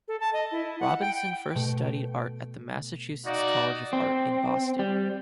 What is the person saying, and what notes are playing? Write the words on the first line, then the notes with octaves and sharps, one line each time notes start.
Robinson first studied art at the Massachusetts College of Art in Boston.
A4
A5
D#5
E4
F#5
G5
G5
B2 A3
D#4 F#4 D5 F5 F6 A#6
C4
G3